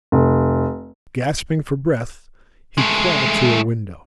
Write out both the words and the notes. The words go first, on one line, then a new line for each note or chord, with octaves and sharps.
Gasping for breath, he crawled to a window.
F1
G#3 A3